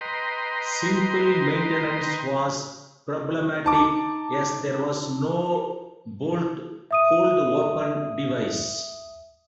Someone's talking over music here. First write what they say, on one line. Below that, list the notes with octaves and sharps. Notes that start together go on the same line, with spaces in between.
Simple maintenance was problematic as there was no bolt hold-open device.
B4 D#5 G5 A#5 C6
D#4 A5 D6
E5 D#6 D#7